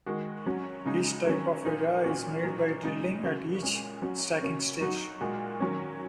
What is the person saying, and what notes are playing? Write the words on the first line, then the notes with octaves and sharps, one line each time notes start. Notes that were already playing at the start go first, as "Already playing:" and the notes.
Each type of via is made by drilling at each stacking stage.
D#3 G#3 F#4
F#3 C#4 F#4
C#3 G#3 D#4
D#3 F#3 C#4
A#2 A#3 D#4
A#2 A#3 C#4 F#4
A#2 F#3 D#4
C#3 G#3 D#4
C#3 A#3 F#4
A#2 G#3 C#4
F#3 C#4 F#4
C#3 A#3 C#4 F#4
F#3 D#4 F#4
A#2 G#3 F#4
D#3 F#3 C#4